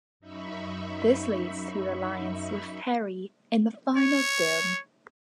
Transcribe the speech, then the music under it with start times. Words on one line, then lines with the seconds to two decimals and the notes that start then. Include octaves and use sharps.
This leads to the alliance with Harry in the final film.
0.20 F#2 D#4 E5 B5 C#6
3.96 C#5